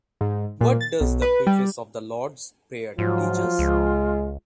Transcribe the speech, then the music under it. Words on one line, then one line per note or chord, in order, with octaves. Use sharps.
What does the preface of the Lord’s Prayer teach us?
G#2
A#2
A6
B1
B4
G3
G#2 F3 F#3 F4
C#2 G#3